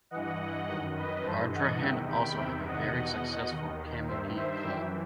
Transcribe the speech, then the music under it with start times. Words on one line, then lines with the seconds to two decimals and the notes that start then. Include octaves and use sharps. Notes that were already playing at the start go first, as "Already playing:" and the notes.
Ardrahan also have a very successful Camogie club.
0.11 G2 E3 D#5 F#5
0.67 F#2 D#3 D#5 F#5
0.95 B4 D#5
1.24 G2 A4 C5
1.29 E3
1.52 D#5 F#5
1.80 E2 C3 D#3 E5 G5
2.09 G5 B5
2.37 E2 C3 D#3 E5 G5
2.65 D#5 F#5
2.94 E2 B2
3.50 D#2 D#3
4.07 G2 D#3 C5 E5
4.35 C5 E5
4.63 F#2 E3 E5 G5